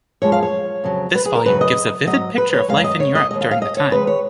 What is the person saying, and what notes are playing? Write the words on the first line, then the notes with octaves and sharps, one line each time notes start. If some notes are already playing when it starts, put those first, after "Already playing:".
This volume gives a vivid picture of life in Europe during the time.
F#2 F3 G#3 C#5
F5
C#5
F2 C#3 F#3
B4
G#4
A#4
F#2 C#3 F#3 B4
D#5
G#2 F#3 D#5
B4
C#5
F#2 D#3 G#3 F5
D#5
C#5
D#5
D#2 D#3 G#3 D#5
F5
F5
D#5
C#5
D#2 D#3 G#3 B4
C#5